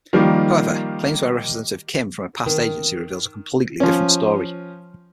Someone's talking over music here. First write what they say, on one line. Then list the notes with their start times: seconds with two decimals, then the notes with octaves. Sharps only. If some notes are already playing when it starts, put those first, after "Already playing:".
However, claims by representative Kim from her past agency reveals a completely different story.
0.13 D#3 F3 G3 A#3
2.46 D#3
3.80 F3 C#4